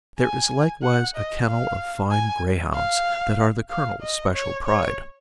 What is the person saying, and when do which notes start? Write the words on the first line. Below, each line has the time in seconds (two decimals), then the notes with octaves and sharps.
There is likewise a kennel of fine greyhounds that are the Colonel's special pride.
0.19 G#5
0.82 F#5
1.15 D#5
1.47 F5
2.11 G#5
2.74 F5
3.70 F5
4.01 D#5
4.34 C#5
4.66 C#5